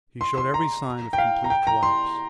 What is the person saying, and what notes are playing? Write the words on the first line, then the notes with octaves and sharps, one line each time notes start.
He showed every sign of complete collapse.
C6
C6
A#5
G5
F5
A#5
G5
A#5
C6